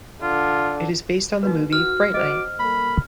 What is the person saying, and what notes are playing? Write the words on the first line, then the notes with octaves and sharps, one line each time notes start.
It is based on the movie "Fright Night".
D3 F4
D3 A#3 D#4 F#4 B4
F#4 D#6 F6
F#4 C5 D#5 D6
G3 A#3 A4 B5